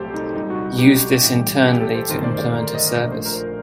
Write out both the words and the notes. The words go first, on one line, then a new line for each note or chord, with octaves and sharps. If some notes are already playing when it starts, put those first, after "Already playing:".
Use this internally to implement a service.
Already playing: C2 A#2 F#3 A3 G4 A4 C5
D#4
C2 A#2 G3 D#4
F#4
F#4
G4
A1 A2 G3
G4
A4
C5
G1 F#2 D#3 A3 C5
D5
D5
A#4
D#5
A#1 A#2 A3
C5
A#4